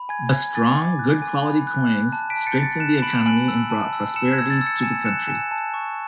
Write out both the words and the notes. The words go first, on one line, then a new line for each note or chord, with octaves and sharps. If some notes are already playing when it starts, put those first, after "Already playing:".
The strong, good-quality coins strengthened the economy and brought prosperity to the country.
Already playing: B5
G#5 G#6
G#5 G#6
G#5 A6
D6
F#6
G#5
B5
F#6
F#6
A5
B6 D7
A5
A6 C#7
A5
A6 C#7
F#6 C#7 E7
B5 D7 F#7
G#5 D7 F#7
E6
A5
E6
E6 C#7 E7
G#6
E6
A6
E6
A6 C#7
G#5 C#7 E7
F#6 C#7 E7
G#5 C#7 E7
A5
C#6